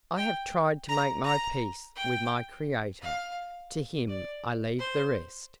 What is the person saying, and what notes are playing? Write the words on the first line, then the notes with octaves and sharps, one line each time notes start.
I have tried to make my peace with my Creator; to Him I leave the rest.
G5
A#5
A#5
G5
F5
D5
C5